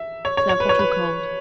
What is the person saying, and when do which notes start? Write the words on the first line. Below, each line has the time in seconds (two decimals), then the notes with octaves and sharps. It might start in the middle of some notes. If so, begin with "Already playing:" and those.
Serve hot or cold.
Already playing: E5
0.25 C#5
0.37 C#5
0.49 C#5
0.60 B4
0.69 C#5
0.79 B4